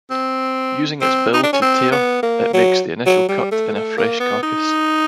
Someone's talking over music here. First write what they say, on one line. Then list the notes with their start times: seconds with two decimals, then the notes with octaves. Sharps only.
Using its bill to tear, it makes the initial cut in a fresh carcass.
0.11 C4
1.02 C4
1.34 D#4
1.43 D4
1.53 C#4
1.62 C4
1.92 B3
2.23 A#3
2.54 F#3
3.07 F#3
3.29 G3
3.52 A3
3.74 A3
3.98 A#3
4.20 B3
4.43 D#4